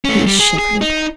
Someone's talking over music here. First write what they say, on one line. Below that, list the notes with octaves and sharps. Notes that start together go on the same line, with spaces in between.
He shivered.
A3 C#4
G3
G#4
G#4
D#4